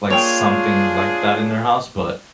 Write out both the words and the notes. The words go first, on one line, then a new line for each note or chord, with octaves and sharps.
like, something like that in their house, but
A#3 D4 F4 G#4 C#5 G5